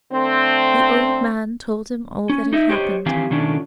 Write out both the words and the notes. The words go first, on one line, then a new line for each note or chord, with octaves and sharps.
The old man told him all that had happened.
D3 A3 C4
C#4
D#4 D#5 E5
G4 C5 C#5 D#5
D#3 E3 C4 G4 F5 G#5
B2 D#3 A3 C#4 D4 F4